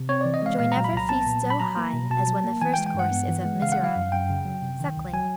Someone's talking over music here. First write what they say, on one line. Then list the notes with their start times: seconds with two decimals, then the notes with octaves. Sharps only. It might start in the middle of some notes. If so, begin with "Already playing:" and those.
"Joy never feasts so high As when the first course is of misery." --SUCKLING.
Already playing: C3
0.09 C4 C#5
0.21 E3 D5
0.34 D#5
0.42 G#3 F5
0.59 A#2 F5
0.72 F#3 A#5
0.84 B5
0.92 C2 A#5
1.09 B3 A5
1.26 A#2
1.44 F#3
1.50 B5
1.60 F#3 A#5
1.77 A#3
1.93 B2
2.10 B2 A5
2.27 F#3
2.44 A#3
2.61 E3 G#5
2.74 G5
2.78 G#3
2.86 G5
2.94 G2
2.99 F#5
3.11 B3
3.28 E3
3.45 G#3
3.62 C#3 F5
3.72 F#5
3.79 F#3
3.84 F5
3.96 F#2
4.12 F#2 G5
4.30 C#3
4.45 F#3
4.62 C3
4.80 D#3
4.97 C#2
5.14 F#3 G#5